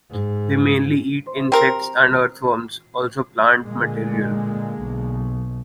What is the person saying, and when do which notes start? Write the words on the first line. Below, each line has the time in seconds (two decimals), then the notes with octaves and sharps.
They mainly eat insects and earthworms, also plant material.
0.10 G#2
1.52 C4 A#4
3.63 A#2 D3 G#3 A#3
4.82 B1